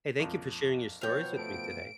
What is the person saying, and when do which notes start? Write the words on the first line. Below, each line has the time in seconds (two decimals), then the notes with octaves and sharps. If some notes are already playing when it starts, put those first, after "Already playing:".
Hey, thank you for sharing your stories with me today.
0.19 A#1 F2
1.01 B2 F3 B3 C#5 F5 G5
1.39 A3 D7